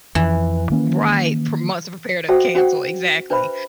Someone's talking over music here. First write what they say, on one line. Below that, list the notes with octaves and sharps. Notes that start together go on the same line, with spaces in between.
Right. pro months are prepared to cancel. Exactly.
F2 E3
D#3 A#3 C#4
F#4 A4 C5 E5 F#5 G5
C#4 F#4 G#4 C5 F#5 G5
D4 B4 C5 E5 B5